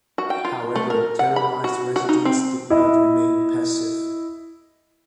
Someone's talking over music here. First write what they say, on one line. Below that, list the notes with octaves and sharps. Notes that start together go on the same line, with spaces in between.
However, terrorized residents did not remain passive.
F#4
G5
F4
A3
A#4
F#5
B5
F#4
F#4
D#4
C4
E4 D#5